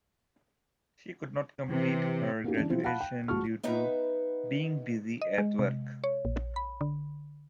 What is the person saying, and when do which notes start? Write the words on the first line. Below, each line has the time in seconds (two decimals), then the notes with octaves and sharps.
She could not complete her graduation due to being busy at work.
1.70 C3 E3
2.44 A#3 B3 C#4 D#4 F#4 G4
2.57 E3 D4
2.70 F3 C4 E4
2.84 F5 F#5 A5 B5 F#6
3.01 G5
3.28 A#1 G#3 F#4 A5 C#6 F6
3.63 B3 D#4 B4 E5 A#5
5.21 D#5
5.38 G#3
5.59 C3
6.04 C#5
6.25 A#1
6.56 B5
6.81 D3